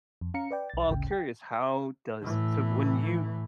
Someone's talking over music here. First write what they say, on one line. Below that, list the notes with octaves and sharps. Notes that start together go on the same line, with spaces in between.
Well, I'm curious, how does so when you
F2
C#4 F5 A#5 C#7
B4 D5 G5
B1 A6
G#1 D2 A2 C#3 G5
G5
A2 E3